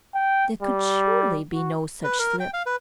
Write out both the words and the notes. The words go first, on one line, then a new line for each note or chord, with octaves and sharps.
There could surely be no such slip!
G5
G3
F#4
B4
A#4
G5
F5
B4